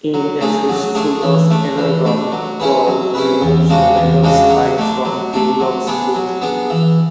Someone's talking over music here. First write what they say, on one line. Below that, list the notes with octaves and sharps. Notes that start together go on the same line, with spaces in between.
In "A Fistful of Energon", Prowl removes a metal spike from Grimlock's foot.
F#3
A3 D4 G#4
F#3
A3 D4 G#4
E3
A3 D4
E3
A3 D4
F#3
C#4 E4 G#4 B4
F#3
C#4 E4 G#4 B4
E2
C#3 G#3 D4 F#4
E2
C#3 G#3 D4 F#4
F#3
A3 D4
F#3
A3 D4
F#3
B3 D4 G#4
F#3
B3 D4 G#4
E3